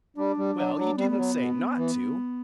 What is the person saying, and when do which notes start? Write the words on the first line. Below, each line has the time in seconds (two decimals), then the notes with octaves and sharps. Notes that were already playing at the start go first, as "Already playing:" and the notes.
"Well, you didn't say not to."
0.17 G3 D4
0.37 G3
0.57 F#3
0.77 F#3
0.97 G3 B3
1.11 G3
1.17 F#3
1.36 B2
1.77 E3